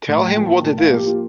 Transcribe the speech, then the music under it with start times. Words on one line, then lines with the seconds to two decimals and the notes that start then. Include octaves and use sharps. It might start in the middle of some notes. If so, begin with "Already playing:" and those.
Tell him what it is.
0.08 A2 A5
0.26 G5
0.36 F3 A#3
0.45 A5
0.64 A2 A5
0.78 F5
0.92 F3 A#3 G4
1.06 F4